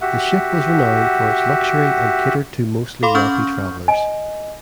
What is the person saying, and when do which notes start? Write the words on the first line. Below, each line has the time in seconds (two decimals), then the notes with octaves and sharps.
The ship was renowned for its luxury and catered to mostly wealthy travelers.
0.01 F#4 G4 E5 F#5
3.03 A4 F5 B5 C6 D6
3.15 C#4 C#6 F6 G6
3.88 D#5 G#5